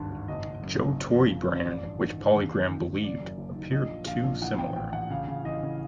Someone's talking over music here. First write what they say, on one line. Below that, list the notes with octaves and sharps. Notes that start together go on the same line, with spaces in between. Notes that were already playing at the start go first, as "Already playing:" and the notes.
Joe toy brand, which, PolyGram believed, appeared too similar.
Already playing: G#1 D2 G2 D3
G#1
F#1 D#5
F#1
F#2
F#1
F#1
F2
C#3
F2
A1 D5
G2
D#3
A1
D#2
D#2
D#3
D#2
F#1 D5
F#2
F#1
D#3
A#1 D#5
A#2
A#1 F5
A#1
E3 F#5
A1 G5
A2 G5
A1 F#5
C#3 F5
C#3
E3 D#5
C#3